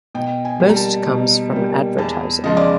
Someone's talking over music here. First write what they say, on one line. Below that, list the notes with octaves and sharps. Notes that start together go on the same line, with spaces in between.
Most comes from advertising.
B2 G5
G#5
G3 A#3
A#5
A5
B2
G3 A#3
E2 A5
C#3 F3 G#3 D#5
D5